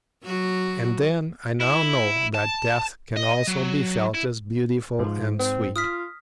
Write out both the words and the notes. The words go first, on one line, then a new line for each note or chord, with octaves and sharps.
And then I now know that death can also be felt as beautiful and sweet.
F#3 F#4
E4
A5
D#5
F#3
E4
G#2 F3
C4
F4 D#6 F6 B6